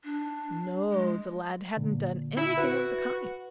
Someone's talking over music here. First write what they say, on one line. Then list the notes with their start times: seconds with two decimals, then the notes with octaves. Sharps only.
No, the lad hadn't done anything of the kind.
0.04 D4
0.91 G#3
1.77 A#2 D3
2.36 E4
2.57 F#4 B4